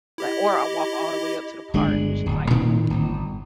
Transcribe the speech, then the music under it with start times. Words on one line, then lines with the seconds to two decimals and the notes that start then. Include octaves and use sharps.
li or I walk all the way up to the park, which is, like,
0.18 E4 G4 D#5
1.74 G1 G#3 C4 D4
2.26 D1
2.50 A2 D#3 C4
2.90 G1